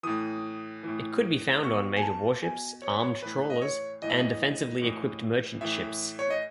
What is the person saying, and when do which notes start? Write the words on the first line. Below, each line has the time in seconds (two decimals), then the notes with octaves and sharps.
It could be found on major warships, armed trawlers and defensively equipped merchant ships.
0.03 A2 E3 D#6
0.83 A2 E3
1.64 B2 C#6
1.96 G#5
2.02 A5
2.43 B2 G#5
2.82 C#5
2.91 B4
2.99 C#5
3.23 A2 E3 B4
3.50 D#5
3.62 C#5
4.02 A2 E3 D#5
4.10 E5
4.17 D#5
4.82 A2 E3
5.61 A2 E3 E5
6.19 C#5
6.30 D#5